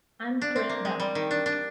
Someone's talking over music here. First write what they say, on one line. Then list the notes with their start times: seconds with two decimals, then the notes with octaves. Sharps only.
I'm cleaned out.
0.42 D4
0.56 C4
0.69 A#3
0.85 G#3
1.00 G3
1.15 D#3
1.31 D4
1.46 D4